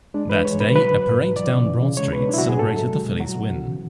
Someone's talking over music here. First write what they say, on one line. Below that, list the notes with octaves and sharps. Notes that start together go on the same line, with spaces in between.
That day, a parade down Broad Street celebrated the Phillies win.
G#3 D4
E3 B4
G#3 C#5
B2 B4
F#3 B4
D3
G#2
F#3
E3 D5
C#3
E3
C#3
G#3 C#5
B2 B4
F#3 D4 E4
F#4
C#3
G#4
G#2 A4
F#3
G#3
B2
F#3 F#4
B2
E3
C#3